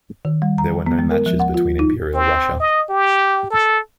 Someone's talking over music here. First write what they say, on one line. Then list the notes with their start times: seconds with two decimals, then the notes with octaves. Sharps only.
There were no matches between Imperial Russia.
0.25 D#3
0.42 G3
0.58 A#5
0.86 B3
0.99 G#3
1.11 A#4
1.26 F3
1.40 F#5
1.54 F4
1.79 D#4
2.14 C4
2.60 D#5
2.90 G4
3.50 A4